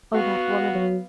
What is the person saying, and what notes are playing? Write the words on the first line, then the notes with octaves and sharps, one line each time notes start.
Oh, that woman!
B3 F#4 F5
F#3